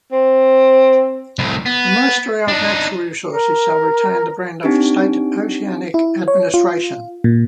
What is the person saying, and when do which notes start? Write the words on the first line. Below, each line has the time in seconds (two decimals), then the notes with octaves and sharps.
The Ministry of Natural Resources shall retain the brand of the State Oceanic Administration.
0.12 C4
1.39 C2 A2
1.66 B3
2.48 D4 D#4
3.33 A#4
4.63 C4 D4 D#4 G4 D7
5.94 E4
6.28 C#5
6.54 F4
7.24 A#2